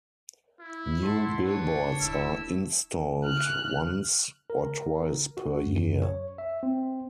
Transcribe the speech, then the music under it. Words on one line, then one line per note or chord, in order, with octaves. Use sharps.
New Billboards are installed once or twice per year.
E4
G#2 F#5 A5 C6
D4 B4 C#5
D#1 E4 E6
F6 F#6
A#4
F#4
F#2
C#5
E5
C4